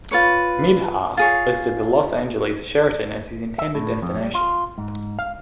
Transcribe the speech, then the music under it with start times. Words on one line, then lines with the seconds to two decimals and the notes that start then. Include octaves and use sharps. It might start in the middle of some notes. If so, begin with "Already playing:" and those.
Mihdhar listed the Los Angeles Sheraton as his intended destination.
0.11 F4 B4 C#5
1.17 F4 G#4 C#5
3.58 E5
3.75 A2
4.02 F2
4.19 G3
4.35 F4
4.78 G#2
5.19 F5